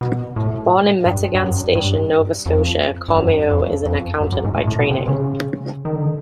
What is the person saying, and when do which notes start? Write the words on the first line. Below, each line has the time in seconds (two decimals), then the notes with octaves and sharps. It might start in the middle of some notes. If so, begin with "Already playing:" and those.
Born in Meteghan Station, Nova Scotia, Comeau is an accountant by training.
0.01 B2
0.36 A2
1.06 G2
1.35 G2
1.41 F#2
1.75 G2
2.46 F2
3.08 G2
3.16 F#2
3.51 F2
3.86 F2
4.21 F#2
4.32 F#2
4.44 G#2
4.56 A2
4.67 A2
4.79 B2
4.91 C3
5.07 C#3
5.85 D#3
5.95 D3